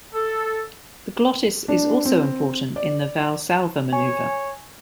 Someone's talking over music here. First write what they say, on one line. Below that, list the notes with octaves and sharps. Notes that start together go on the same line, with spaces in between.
The glottis is also important in the valsalva maneuver.
A4
D4
C4
D5
C#5 G#5